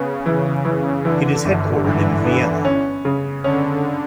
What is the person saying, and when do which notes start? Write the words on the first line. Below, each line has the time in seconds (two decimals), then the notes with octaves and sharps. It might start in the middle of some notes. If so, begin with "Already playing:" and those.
It is headquartered in Vienna.
Already playing: C#3 B3
0.26 E3
0.65 E3
1.05 D3 E3
1.45 G1
1.84 G2 E3
2.25 B3
2.65 C#4
3.05 C#3
3.44 D3 C#4